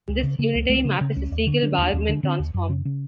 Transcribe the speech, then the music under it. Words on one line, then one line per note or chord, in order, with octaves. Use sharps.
This unitary map is the Segal-Bargmann transform.
C#2
C#3
C#3 A#3
C#2
C#2 A3
C4
C#3
C#4
C#3 C#4
C#2 C#4
D#2
D3
D3 D4
C#4
D#2 D4
D#2 C#4
D3
D3 C4
D#2
F#2
C#3 C#4
C#3